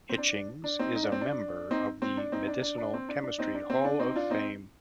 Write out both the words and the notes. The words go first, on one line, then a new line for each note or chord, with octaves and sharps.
Hitchings is a member of the Medicinal Chemistry Hall of Fame.
C4
D4
D4
C4 D#4
D#4
D4
C4
D4
C4 D#4
C4
D4
C4 D#4
D4
D4
D4
C4
D4
D4
C4 D#4
D4
C4
D4
C4 D#4
D4 F4
C4 D#4